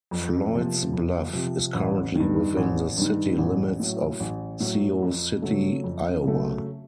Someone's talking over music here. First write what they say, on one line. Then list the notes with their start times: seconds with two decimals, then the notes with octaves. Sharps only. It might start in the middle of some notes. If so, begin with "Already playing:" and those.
Floyd's Bluff is currently within the city limits of Sioux City, Iowa.
0.11 F2
0.51 C3 F3
0.93 F2
1.33 C3 F3
1.74 A1
2.16 G2 D#3
2.56 A1
2.97 G2 D#3
3.38 A1
3.79 A2 F#3
4.20 A1
4.60 A2 F#3
5.02 F2
5.42 C#3 F#3 A3
5.84 F2
6.24 C#3 F#3 A3